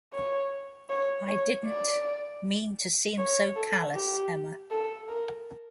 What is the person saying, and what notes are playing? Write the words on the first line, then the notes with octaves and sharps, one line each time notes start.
I didn't — mean to seem so callous, Emma.
C#5
C#5
C#5
D5
C#5
A4
G4
A4
A#4